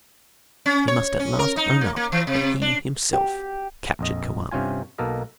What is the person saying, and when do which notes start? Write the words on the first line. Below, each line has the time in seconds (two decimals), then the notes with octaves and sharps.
He must at last own up that he himself captured Coamo.
0.66 C#4
0.88 C#5
1.19 C#4
1.39 A#4
1.57 D#4
1.81 A#3
1.96 A#3
2.12 E3
2.27 C3
2.62 D4
3.13 G4
3.99 A#1 F2 D#5
4.51 G2 C3 C#4 F4 G#5
4.98 B1 B2 A#3 A4 A#4 D#5